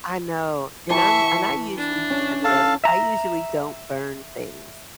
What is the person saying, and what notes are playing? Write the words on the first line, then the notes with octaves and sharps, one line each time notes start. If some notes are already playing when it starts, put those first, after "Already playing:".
I know, and I'm and I usually d look, I usually don't burn things,
E3 E5 G5 A5 C#6
D4
C#4
A4 F5 A5
E5 A#5